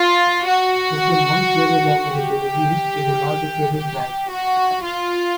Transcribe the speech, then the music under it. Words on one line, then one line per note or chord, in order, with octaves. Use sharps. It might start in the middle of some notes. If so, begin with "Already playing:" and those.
Less than one crater diameter to the east is the larger crater Bragg.
Already playing: F4
F#4
G4
G4
F#4
F4